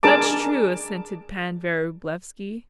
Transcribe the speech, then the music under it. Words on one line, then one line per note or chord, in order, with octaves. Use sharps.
"That's true," assented Pan Vrublevsky.
D4 G#4 A#4 A5 D6